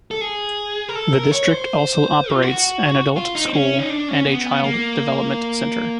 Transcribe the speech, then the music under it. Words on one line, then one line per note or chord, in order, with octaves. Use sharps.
The district also operates an Adult School and a Child Development Center.
A4
G#4
A#4
A4
A#4
C#5
C5
F4
F#4
F4
D#4
C4
C#4
D#4
D4
C#4
B3
A#3